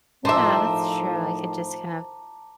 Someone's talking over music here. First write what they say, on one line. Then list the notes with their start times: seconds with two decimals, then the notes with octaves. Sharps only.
Yeah, that's true, I could just kind of
0.25 A2 D#3 F3 C5 E5 A5 A#5 D6